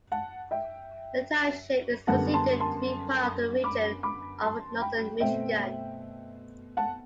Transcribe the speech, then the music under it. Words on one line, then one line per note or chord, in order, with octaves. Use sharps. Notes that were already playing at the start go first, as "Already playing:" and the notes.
The township is considered to be part of the region of Northern Michigan.
F#5 A5
E5 G5
F#2 D3 G3 B3 F#5 A5
A5 C6
A5 C6
B5 D6
B5 D6
A5 C6
G5 B5
B2 A3 C4 E5 G5
F#5 A5